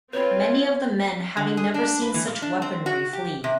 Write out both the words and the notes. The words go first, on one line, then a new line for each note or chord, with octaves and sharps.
Many of the men, having never seen such weaponry, flee.
C4 F4 B4 C#5 B5
D3
G#4
D4
B4
E3
A#2
D4
C4
F#4
G4
C3